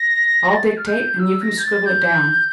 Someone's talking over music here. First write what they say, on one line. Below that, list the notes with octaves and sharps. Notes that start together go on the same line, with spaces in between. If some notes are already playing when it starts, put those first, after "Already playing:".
I’ll dictate, and you can scribble it down.
Already playing: A#6
A6
F6
G6
E6
A#6
G6
A6
G6